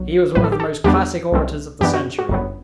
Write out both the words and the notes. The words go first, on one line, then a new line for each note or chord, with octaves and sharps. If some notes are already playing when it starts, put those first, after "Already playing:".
He was one of the most classic orators of the century.
Already playing: B1 F#3
A1 A2 F#3 B4
A4
G4
A4
E2 D3 G3 B3 D4 G4
C2 C3 F#3 A3 C4
F#2 E3 B3 D4 G4
F#4
F#4
G1 F#2 F#3 B3